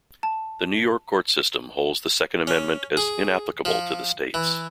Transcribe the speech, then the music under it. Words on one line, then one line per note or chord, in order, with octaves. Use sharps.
The New York Court System holds the Second Amendment as inapplicable to the states.
A5
C#4
G#4
F3
E3